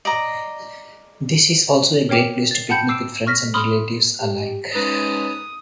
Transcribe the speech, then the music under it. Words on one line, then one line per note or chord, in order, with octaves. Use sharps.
This is also a great place to picnic with friends and relatives alike.
D5 D#5 A#5
A#4 C#5 G5 D6 F7
A6 C7
F#5 G5 A5 B5 G6 C#7
D6 E6 C7 D7 E7
C#6 F6 A#6 B6
B5 C6 D#6 F6 G7
G4
G#2 C#4 B4 D#6